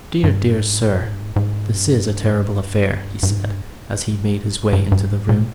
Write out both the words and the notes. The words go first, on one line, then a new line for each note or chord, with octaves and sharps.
"Dear, dear, sir--this is a terrible affair!" he said, as he made his way into the room.
G2
G#2
A#2
G#2
G2
G#2
G#2
G2
G2
G#2
G2
G#2
G2
G2
G2
G#2
A#2